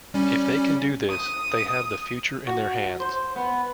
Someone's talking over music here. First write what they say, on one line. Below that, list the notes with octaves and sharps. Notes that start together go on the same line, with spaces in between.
If they can do this, they have the future in their hands.
G3 C#4
D#6
F#4
C5
B3